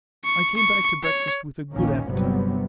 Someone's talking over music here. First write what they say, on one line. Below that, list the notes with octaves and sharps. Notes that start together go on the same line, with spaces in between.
I came back to breakfast with a good appetite.
C#6
C#6
C#5
A#1 D#2 D#3 A#3 C#4
G1 C3 F#3 G3 B3